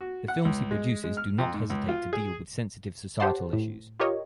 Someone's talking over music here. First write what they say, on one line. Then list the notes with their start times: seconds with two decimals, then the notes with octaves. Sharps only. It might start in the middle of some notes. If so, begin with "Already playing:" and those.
The films he produces do not hesitate to deal with sensitive societal issues.
0.01 F#4
0.28 F#5
0.45 C#2
0.71 G#3
1.04 G#3
1.17 F6
1.38 F2
1.54 G#2
1.70 C#2
1.88 F4
2.13 G#4
3.20 G4 C5 C#5 F#5 A5 C6
3.53 A2
4.00 F4 G4 A#4 C#5 D#5